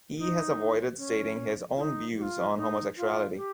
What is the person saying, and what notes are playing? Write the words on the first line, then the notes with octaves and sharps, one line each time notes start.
He has avoided stating his own views on homosexuality.
D#4
C#4
F4
D#4
G4
F4
D#4
F4
G4